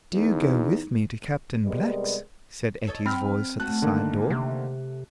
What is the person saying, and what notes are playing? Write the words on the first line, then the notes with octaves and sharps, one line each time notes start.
"Do go with me to Captain Black's," said Etty's voice at the side door.
E2 D#4
C3 G3 G#3 B3 A#4 D5
A4 C#5 D#5
F#3 C4 B5 F6
A3 F#4 F#6
D3 D#3 A#3
C3